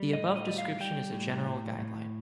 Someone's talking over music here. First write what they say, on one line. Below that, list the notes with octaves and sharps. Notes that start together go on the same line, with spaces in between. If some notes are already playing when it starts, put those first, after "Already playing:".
The above description is a general guideline.
Already playing: G3
A2 D#5
D#5
G3
F5
G3 G5
A2
A2
A2